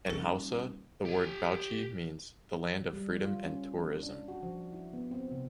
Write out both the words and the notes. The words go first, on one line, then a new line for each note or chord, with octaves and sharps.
In Hausa the word Bauchi means "the land of freedom and tourism".
D#1 A4 C#6
G4 G#5
G3
F4
C#4
D4
F#4
F3
E4
B3
C4
C3